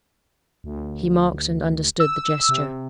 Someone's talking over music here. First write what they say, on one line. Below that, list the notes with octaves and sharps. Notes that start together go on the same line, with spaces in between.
He marked and understood the gesture.
D2
E6
C3